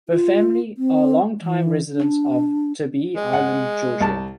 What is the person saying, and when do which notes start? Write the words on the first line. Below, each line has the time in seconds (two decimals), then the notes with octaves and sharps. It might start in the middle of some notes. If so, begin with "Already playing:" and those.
Her family are long-time residents of Tybee Island, Georgia.
0.09 F4
0.77 C4
1.41 E3
1.93 D4
3.16 G#3
3.33 F#5
4.01 C2 A5